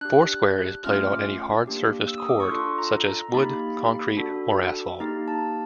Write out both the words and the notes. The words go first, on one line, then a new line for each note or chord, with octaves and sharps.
Four square is played on any hard-surfaced court, such as wood, concrete or asphalt.
D4 G4 F#6
A3 C#4 F4 F6
D6
A#3 D4 G4
E6
D#6
D6
C#6
D4 F4 A4 C6
A#5
A#5
A#3 D#4 G4 B5
D4 F#4 A4
A#3 D#4 G4 A#5
A5